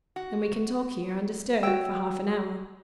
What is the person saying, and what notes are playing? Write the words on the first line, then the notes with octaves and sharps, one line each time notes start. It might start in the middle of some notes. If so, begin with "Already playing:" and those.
"Then we can talk here undisturbed for half an hour?"
F#4
F#4 C#5 G5 E6